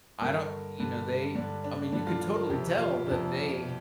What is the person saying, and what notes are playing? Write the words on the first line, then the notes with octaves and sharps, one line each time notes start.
I don't you know, they I mean, you could totally tell that they
G2 D3 A#4
G2 D3
G2 D3 D4
D4
G2 D3 D4
F4
F4
A#4
F2 C3 G4
F4
F2 C3 D4